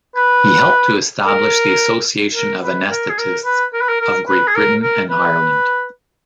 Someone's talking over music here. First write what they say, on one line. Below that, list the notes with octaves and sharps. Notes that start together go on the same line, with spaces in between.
He helped to establish the Association of Anaesthetists of Great Britain and Ireland.
B4
A#4
A#4
B4
A#4
G#4
A#4
B4
A#4
B4
A#4
A#4
B4
G#4
A#4
A#4
B4